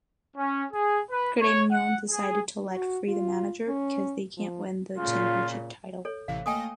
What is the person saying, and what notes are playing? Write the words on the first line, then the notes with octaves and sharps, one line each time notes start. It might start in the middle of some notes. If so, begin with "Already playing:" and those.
Gremio decided to let free the manager, because they can't win the championship title.
C#4
G#4
B4
C#5
F#5
G#4
F#4
F4
C#4
F3
A#2 C#3 F4
A4 C#5
A1 C3 E3 F5
A3 A#3 D#5 G5 G#5 D#6